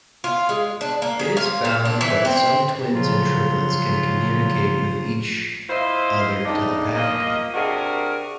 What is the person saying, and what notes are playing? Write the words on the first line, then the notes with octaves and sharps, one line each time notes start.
It is found that some twins and triplets can communicate with each other telepathically.
F4
G#3
D4
A#3
G#4
F4
A#2
D4
E3
C4
C#3 F3 F#3 F4
E4 F4 C5 D#5 E5
A2 C#3 D4 D#4
F3 A#3 D#5
C3 D4 F#4 G#4 A#4